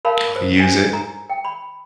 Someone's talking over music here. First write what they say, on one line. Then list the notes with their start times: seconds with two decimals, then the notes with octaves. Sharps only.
Go use it.
0.05 A#4 F5 A5 B5
0.36 C5
0.59 G#5
0.93 A#5
1.30 G5
1.45 B5